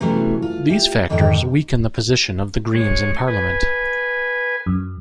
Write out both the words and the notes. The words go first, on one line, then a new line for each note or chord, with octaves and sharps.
These factors weakened the position of the Greens in Parliament.
C3 E3 F#3 A3 B3 C#4
F4
F4 G4 E5
F2 G#2 D3 D#3 F4 G5
G#3 C#5
B4 G#5
F#2